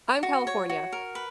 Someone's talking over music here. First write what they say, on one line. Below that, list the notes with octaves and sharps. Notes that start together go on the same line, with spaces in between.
I'm California,
F#4
C#5
F#4
A#4
B4